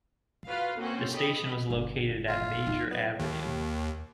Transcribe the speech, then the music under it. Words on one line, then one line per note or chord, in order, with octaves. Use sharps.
The station was located at Major Avenue.
F4 F#4 B4 F5
A#3 C4 C#4 F#4
G4 A4 D#5 B5
G1
F4
F#3 D#4
B3
D#2